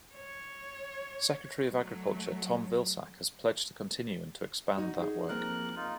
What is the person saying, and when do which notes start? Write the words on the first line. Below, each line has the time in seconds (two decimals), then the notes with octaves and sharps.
Secretary of Agriculture Tom Vilsack has pledged to continue and to expand that work.
0.14 C#5
1.71 F#3 A3
4.77 D#4 F#4
5.02 G#4
5.29 F3 A#3 C4 A#4 F#6
5.76 D#4 F4